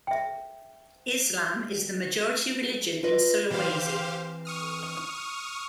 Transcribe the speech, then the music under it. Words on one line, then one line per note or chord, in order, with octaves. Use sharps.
Islam is the majority religion in Sulawesi.
E5 G5
F4 B4 D#5
E3 C4 G4 C5 F5
C#6 D#6 F6